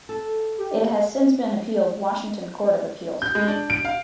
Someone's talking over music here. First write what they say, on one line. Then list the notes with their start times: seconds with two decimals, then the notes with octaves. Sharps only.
It has since been appealed Washington Court of Appeals.
0.09 A4
0.58 G4
3.22 G6
3.35 G#3
3.48 D4
3.70 D7
3.85 F5